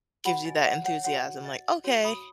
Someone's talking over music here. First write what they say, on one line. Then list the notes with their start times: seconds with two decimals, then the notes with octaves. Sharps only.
gives you that enthusiasm, like, "Okay,
0.25 F#4 C#5 F#5 B5
0.45 D#5 G#5
0.65 C#5 F#5
0.84 C#5 F#5
1.04 F#4 C#5 F#5
1.45 D#5
1.84 F#4 C#5
2.04 B5 D#6